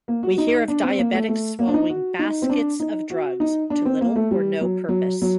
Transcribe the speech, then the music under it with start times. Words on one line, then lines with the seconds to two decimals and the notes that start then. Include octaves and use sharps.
We hear of diabetics swallowing baskets of drugs to little or no purpose.
0.08 A#3
0.23 F#4
0.38 D#4
0.68 D4
0.83 C4
0.98 A#3
1.14 A3
1.29 A3
1.59 A#3
1.67 D4
1.74 D#4
1.89 F#4
2.19 D#4
2.42 C4
2.50 D4
2.80 D#4
3.10 F#4
3.40 D#4
3.70 D4
3.85 C4
4.01 A#3
4.16 A3
4.31 G3
4.61 F#3
4.89 F#3
5.22 F#3